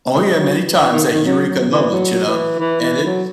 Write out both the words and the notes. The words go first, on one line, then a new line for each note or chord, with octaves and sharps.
Oh, yeah, many times, that eureka moment, you know, and it's
G#3
F#3
E3
D#3
D#3
F#3
F#3
E3
F#3
E3
E3
E3
F#3